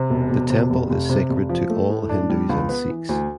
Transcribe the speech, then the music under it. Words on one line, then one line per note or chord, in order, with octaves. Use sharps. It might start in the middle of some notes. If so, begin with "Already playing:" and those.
The temple is sacred to all Hindus and Sikhs.
Already playing: C3
E1
E1
C3
F1
F1
C3
F1
F3
A3
A2
D4
G3
C#2
B3
E3
D2